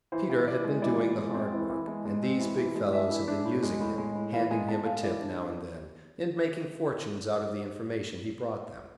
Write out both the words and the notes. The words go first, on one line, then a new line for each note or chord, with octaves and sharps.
Peter had been doing the hard work, and these big fellows had been using him, handing him a tip now and then, and making fortunes out of the information he brought them.
E3 C5
E3
E3 D5
G#3
E3 D5
E3
G#3
C4
E3
E3
G#3
G#3
C4
E3
E3
G#3
D4 E5
E3
D4
A2
G#3
A2
G#3
A2
E3 F5
G#3 G#5
G#3 A5
G#3 F5
E3 D5
D4